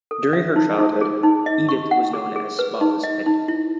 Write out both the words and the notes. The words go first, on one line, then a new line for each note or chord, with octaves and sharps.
During her childhood, Edith was known as Spotless Edie.
A4
E5
D#4
D#4
G#4
D#4
D#5
C#6
F#5
G#4
G#4
B4
D#4
D#5
D#4
E4